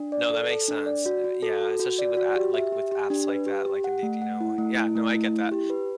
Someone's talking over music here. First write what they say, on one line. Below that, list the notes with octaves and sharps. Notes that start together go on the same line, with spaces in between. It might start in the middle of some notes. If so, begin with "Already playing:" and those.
No, that makes sense, uh, yeah, especially with a like, with apps like that, like, Indeed, you know? Yeah, no, I get that.
Already playing: D4
D5
A4
A4
D4
D5
F#4
F#4
A4
F#4
F#4
D5
F#4
G4
E5
G4
G4
D4
B4
G4
G4
F#5
A3
F#5
E4
A3
E4
A3
E4
E4
G4
B4